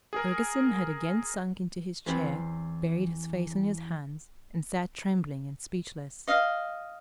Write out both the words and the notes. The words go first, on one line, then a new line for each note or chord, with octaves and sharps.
Ferguson had again sunk into his chair, buried his face in his hands, and sat trembling and speechless.
G#4 A#4
E2 C4 B4
D#5 F5